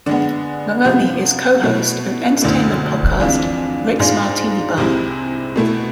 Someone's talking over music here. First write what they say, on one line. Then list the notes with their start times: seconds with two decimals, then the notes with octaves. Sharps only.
Maroney is co-host of entertainment podcast Rick's Martini Bar.
0.06 D3 G#3 B3
0.85 C3 F3 B3
1.63 B2 A3 E4
2.42 D2 D3 A3 E4
3.20 F2 E3 G#3 D4 F4
3.99 G#2 G#3 D4 F4
4.77 C2 C3 G#3 C4 E4
5.56 B2 A3 E4